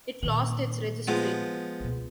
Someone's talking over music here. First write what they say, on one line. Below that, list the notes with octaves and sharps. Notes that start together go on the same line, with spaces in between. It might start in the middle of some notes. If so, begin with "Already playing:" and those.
It lost its registry.
A#2 D#3
F3 G#3 B3
C#2 B2